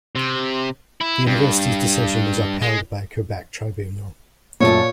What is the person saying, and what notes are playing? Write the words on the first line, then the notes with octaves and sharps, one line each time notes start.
The university's decision was upheld by a Quebec tribunal.
C3
E4
G2
G#3
F#2 A#2 A3 C#5 A5